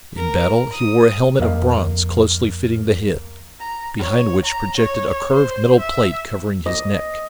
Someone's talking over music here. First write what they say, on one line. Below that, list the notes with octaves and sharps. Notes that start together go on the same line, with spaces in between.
In battle he wore a helmet of bronze closely fitting the head, behind which projected a curved metal plate covering his neck.
A#4
D#6
F2 A#3 D#5 F5
A#5
C#5
A#5
C#5
C5
E5
D#5